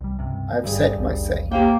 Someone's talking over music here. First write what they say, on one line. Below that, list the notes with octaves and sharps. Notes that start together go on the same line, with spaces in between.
I have said my say.
C2 G3
C#2 G2 C3
G1 G2 D3 G3 G#4
A1 D#2
A#3 G4 C5 G5